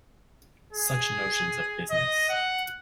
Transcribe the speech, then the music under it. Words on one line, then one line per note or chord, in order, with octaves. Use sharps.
Such notions of business!
G#4
D#5
F#5